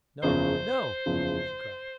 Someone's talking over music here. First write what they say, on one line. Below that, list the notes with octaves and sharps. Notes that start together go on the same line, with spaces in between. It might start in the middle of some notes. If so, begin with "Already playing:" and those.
"No, no," she cried.
F#1 E2 C#3 F3 C5
F#1 E2 C#3 F3